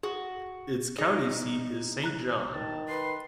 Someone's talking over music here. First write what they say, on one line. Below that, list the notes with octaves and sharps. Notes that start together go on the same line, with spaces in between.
Its county seat is Saint John.
F#4 G#4
D#4 G#4 D5
A#5 F#6
D#3 A5
B4 C6